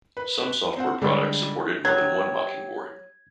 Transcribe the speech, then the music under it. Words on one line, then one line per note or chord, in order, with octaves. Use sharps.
Some software products supported more than one Mockingboard.
B4
C4 C5 F#5
D3 G3 G#3 D4
F#3 G4 G#6